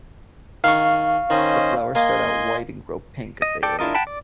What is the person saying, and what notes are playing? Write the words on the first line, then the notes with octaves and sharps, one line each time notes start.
The flowers start out white and grow pink as they age.
D#3 F5 C#6
D#3 C#4 C5 D#5
A#3 D#5 G#5 C6
D#5
A4 D5 G5
D4 E4 F4 A#4 D#5
F#5 G5 A5 B5
D5